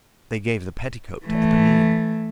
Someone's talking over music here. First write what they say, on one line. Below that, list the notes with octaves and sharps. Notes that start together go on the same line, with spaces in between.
They gave the petticoat to Eponine.
E3 A3